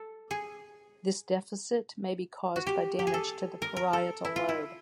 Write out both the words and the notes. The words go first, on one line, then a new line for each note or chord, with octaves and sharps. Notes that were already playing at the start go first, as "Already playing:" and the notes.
This deficit may be caused by damage to the parietal lobe.
Already playing: A4
G#4
F#4
G4
G4
G#4
A4
A#4
A#4
A4
E4
F4
E4